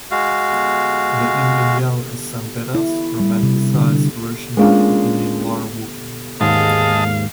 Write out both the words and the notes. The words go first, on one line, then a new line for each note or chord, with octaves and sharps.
The Indian Yell is San Beda's romanticized version of the Indian war whoop.
G#3 F#4 F5
E4
G3
C3
D3
G#3 A#3 C#4 D4 F4
D#2 G#2 G#3 D#5 F5 A5